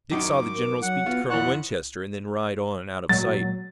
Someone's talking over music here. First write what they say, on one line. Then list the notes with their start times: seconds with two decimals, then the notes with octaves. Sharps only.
Dick saw the general speak to Colonel Winchester and then ride on and out of sight.
0.12 F#2 D#3 D#4 D6
0.55 A#4
0.82 F#3 F#5
1.06 B3 F4 F#4
1.30 F2 E4 C#5 F#5 C#6 F#6
3.09 A#2 F#3 G#3 A3 A6